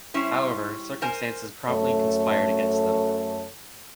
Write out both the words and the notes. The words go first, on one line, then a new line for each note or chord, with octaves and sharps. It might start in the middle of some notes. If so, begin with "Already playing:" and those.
However, circumstances promptly conspired against them.
G3 C#4 E4 C5
A#4 C5 G#5
F#2 A3 A4 C#5